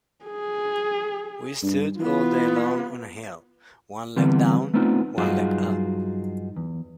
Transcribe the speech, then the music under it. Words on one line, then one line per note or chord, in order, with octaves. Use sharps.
We stood all day long on a hill, one leg down, one leg up.
G#4
G2
E3 B3 F4
D3 E3 G3 B3 C4
A3 B3 C4 D4 D#4 F4
G2 F#3 D#4 F4 F#4 G#4
E2